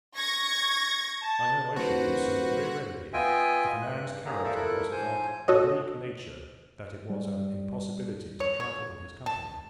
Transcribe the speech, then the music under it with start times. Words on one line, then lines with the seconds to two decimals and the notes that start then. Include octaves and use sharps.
I know I should do so very readily, if a man's character was of that oblique nature that it was an impossibility to travel in his company.
0.16 C#6 G#6 A#6
1.23 A5
1.76 D#1 F#4 B4 C5
3.13 B3 F4 D#5 E5 G5 G#5
3.82 G2 F#6
4.26 D#2 A#3 G4 G#4 A#5
4.44 F4 A4 A#4 C5 D5 E5
4.55 A#2 E4 A4 A#4 F#6
4.92 G#2 F3 C5 G#5 G6
5.48 F#4 A4 C#5 D#5
7.10 G3
8.40 C#5
8.60 C#5
9.26 A5